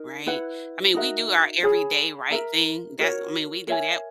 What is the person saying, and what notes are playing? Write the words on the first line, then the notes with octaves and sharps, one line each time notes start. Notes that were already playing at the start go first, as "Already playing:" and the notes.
right? I mean, we do our everyday right thing, that I mean, we do that
Already playing: D#4 A#4
E4 B4 F#5
D#4 F#4 A#4 E5
G#4 C#5 G#5 B5
A#4 E5 A#5
F#4 A#4 C#5
A#4 C#5 E5 G#5